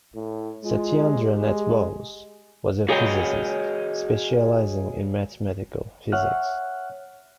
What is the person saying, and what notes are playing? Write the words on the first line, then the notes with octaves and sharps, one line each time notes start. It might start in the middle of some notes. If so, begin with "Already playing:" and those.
Satyendra Nath Bose was a physicist, specializing in mathematical physics.
A2
G#3 F4
G4
G#3
F#4 G#4 C#5 D#5 G5
C#5 E5 F#5 F6 F#6